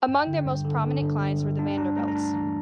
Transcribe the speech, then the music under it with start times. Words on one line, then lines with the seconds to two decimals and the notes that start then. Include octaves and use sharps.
Among their most prominent clients were the Vanderbilts.
0.08 G2 G5
0.27 D3
0.46 G2
0.65 D3
0.84 D3
1.02 G2
1.21 G2
1.40 G3
1.59 D4 A5
1.77 D4 A#5
1.96 A3 A#5
2.08 A#5
2.15 D4 A5
2.34 E3 A#5